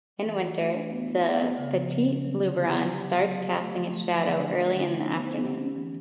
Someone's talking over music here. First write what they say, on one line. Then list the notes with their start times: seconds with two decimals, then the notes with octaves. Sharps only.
In winter, the Petit Luberon starts casting its shadow early in the afternoon.
0.24 E3
0.41 F#4
0.57 A3
0.74 D4
0.91 B3
1.08 E4
1.24 B3
1.41 B3
1.58 C#3
1.74 F3
1.91 C#3
2.08 C#4
2.25 F#3
2.42 D3
2.58 B3
2.75 F#3
2.92 G4
3.08 F#3
3.25 F#3
3.42 G4
3.58 A3
3.75 F3
3.92 A3
4.09 F3
4.25 D3
4.42 D4
4.59 A3
4.75 D3
4.93 D#4
5.09 B3
5.26 C5
5.42 G4
5.59 C#4
5.76 E3